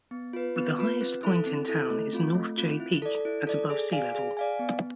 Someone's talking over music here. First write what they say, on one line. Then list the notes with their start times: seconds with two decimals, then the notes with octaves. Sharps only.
The highest point in town is North Jay Peak at above sea level.
0.11 B3
0.33 F4 B4
0.56 B3
0.78 F4 B4
1.01 C4
1.23 E4 A4
1.46 C4
1.68 E4 A4
1.90 A3
2.13 C4 F4
2.35 A3
2.58 C4 F4
2.80 E4
3.02 A4 D5
3.25 E4
3.47 A4 D5
3.70 G#4
3.92 D5 F5 G#5
4.15 G#4
4.37 D5 F5 G#5
4.59 B3